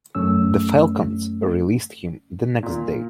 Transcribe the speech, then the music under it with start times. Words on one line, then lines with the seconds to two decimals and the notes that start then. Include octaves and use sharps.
The Falcons released him the next day.
0.15 F#2 A3 C#4 E6
2.63 A#2